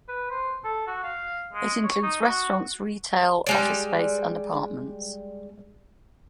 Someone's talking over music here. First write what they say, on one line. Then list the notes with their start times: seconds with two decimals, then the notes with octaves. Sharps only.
It includes restaurant, retail, office space and apartments.
0.08 B4
0.30 C5
0.64 A4
0.87 F#4
1.03 F5
1.53 G#3
1.84 C#5
2.03 D#4
2.22 F#4
3.46 G3 G#3 D5